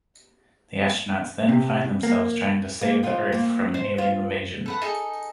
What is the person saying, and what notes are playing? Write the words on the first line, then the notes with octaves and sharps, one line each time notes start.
The astronauts then find themselves trying to save the Earth from an alien invasion.
C3
A#3
A#3
F3 F4
A#3
C5
F4
A4 B4 F#5
D#4 G#4 A4